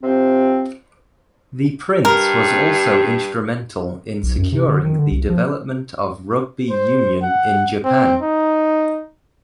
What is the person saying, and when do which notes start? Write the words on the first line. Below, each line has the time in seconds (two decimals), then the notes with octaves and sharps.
The prince was also instrumental in securing the development of rugby union in Japan.
0.03 C3 F3 C4
2.05 G2 A#4
4.23 B1
4.38 F#2
4.52 C3
4.68 D3
4.85 D#3
4.99 D3
5.12 C2
5.29 F3
6.70 C5
7.23 F#5
7.85 C4
8.22 D#4